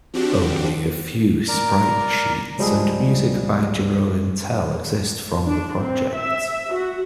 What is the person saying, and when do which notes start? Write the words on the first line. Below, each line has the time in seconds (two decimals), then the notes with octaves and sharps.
Only a few sprite-sheets and music by Jeroen Tel exist from the project.
0.14 F3 C4 D4 F#4 G4
1.48 A#4 D5 A#5
2.58 C#2 F3 G3 G#3 G#4
5.45 D4
5.80 C4
6.14 E5
6.73 F#4